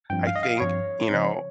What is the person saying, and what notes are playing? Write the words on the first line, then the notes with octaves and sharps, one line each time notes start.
I think, you know,
G2 F3 C4 G5
F5
D#5
F5
G2 F3 C4 C#5
C#3 F3 C4